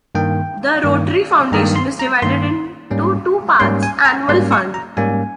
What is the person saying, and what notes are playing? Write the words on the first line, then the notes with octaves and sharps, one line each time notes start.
The Rotary Foundation is divided into two parts: Annual Fund.
G2 D#3 A#3 G5
G2 D#3 A#3
G2 D#3 A#3 A#5
C6
A#5
G2 D#3 A#3 C6
G#2 G3 A#3 C#4
G#2 G3 A#3 C#4 C6
G#5
A#5
G#2 G3 A#3 C#4 C6
C#6
A#5
G#2 G3 A#3 C#4 G#5